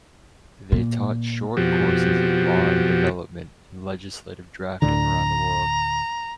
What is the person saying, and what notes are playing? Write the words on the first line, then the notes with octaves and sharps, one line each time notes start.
They taught short courses in law and development and legislative drafting around the world.
A#2
F2 B2 F3 F#4 G4
D2 A2 D3 A#5